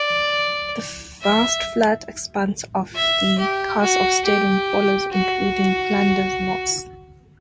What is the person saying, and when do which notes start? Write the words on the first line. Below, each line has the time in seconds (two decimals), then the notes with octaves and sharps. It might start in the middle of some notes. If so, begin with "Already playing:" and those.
The vast flat expanse of the Carse of Stirling follows including Flanders Moss.
Already playing: D5
1.21 E5
2.95 E5
3.38 G4
3.82 F#4
4.25 G4
5.12 F#4